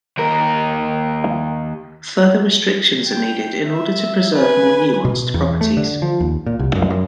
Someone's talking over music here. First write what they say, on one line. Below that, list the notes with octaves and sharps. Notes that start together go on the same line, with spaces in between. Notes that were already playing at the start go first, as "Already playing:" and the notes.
Further restrictions are needed in order to preserve more nuanced properties.
D#2 A#4
G5
E5
B4 G#5
B2
E2
A3
D3
F3
D#2
A#2
C2
F#2
F#2